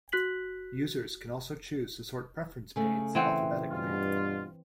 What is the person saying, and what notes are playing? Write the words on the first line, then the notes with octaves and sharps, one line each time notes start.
Users can also choose to sort preference panes alphabetically.
F#4 F#6 B6 F#7
C#3 A3
E3 C4 F#5
G2 B2 F4